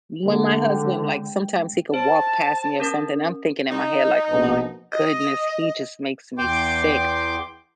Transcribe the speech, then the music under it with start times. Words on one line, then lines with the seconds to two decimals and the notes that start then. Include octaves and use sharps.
when my husband, like, sometimes he could walk past me or something, I'm thinking in my head like, “Oh, my goodness, he just makes me sick.
0.23 D3 A#3 G4
0.65 G#3 C4 G5
1.94 C5 A5
2.80 C#4 A#4
3.69 D#4
4.30 A#1 B2
4.92 D#5
6.38 E2 G5 C6 D6 G6